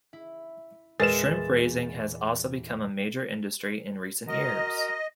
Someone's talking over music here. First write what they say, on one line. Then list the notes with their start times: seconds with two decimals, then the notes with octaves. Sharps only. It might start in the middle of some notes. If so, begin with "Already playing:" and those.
Shrimp raising has also become a major industry in recent years.
0.13 E4
1.00 E2 A#2 G#3 A#4 B4 A6 E7
4.28 F#4 A#4 D#5 A#5